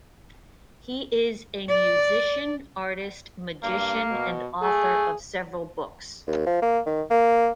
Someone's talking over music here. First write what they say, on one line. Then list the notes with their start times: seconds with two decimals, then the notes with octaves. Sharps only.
He is a musician, artist, magician and author of several books.
1.68 D5
3.63 G2 A#3
4.11 B2
4.62 A3 G#4
6.27 D#2
6.46 F3
6.62 A#3
6.86 D#3
7.10 A#3